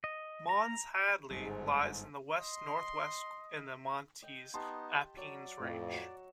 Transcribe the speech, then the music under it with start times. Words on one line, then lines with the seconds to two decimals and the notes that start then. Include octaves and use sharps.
Mons Hadley lies to the west-northwest in the Montes Apenninus range.
0.04 D#5
0.49 A#5
1.30 G1 G#2
2.37 D#5 C6
4.22 D#5 G5
4.54 B3 D#4 G4 A5 C6
5.17 F#3 D5 F#5
5.60 F2 A2
5.93 F#4 E7